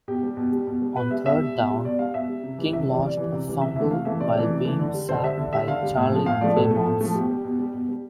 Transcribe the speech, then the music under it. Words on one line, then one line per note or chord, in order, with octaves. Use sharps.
On third down, King lost a fumble while being sacked by Charlie Clemons.
B2 G4
G3
B2
G3
B2
G3
B2 B4
G3 E5
B2 E5
G3
B2
G3
B2 D5
G3 F5
B2 E5
G3
C3
E3 G3
C3 E5
E3 G3 D5
C3 D5
E3 G3
C3
E3 G3
C3 E5
E3 A3 E5
C3 F5
E3 A3 E5
C3 D5
E3 A3
C3
E3 A3
D3
G3
D3 C5
G3 E5
D3
G3 E5
D3 F5
G3
A2
F3 A3
A2 F5
F3 A3 D5
A2 A4
F3 A3
A2
F3 A3
B2 G4
G3
B2
G3
B2
G3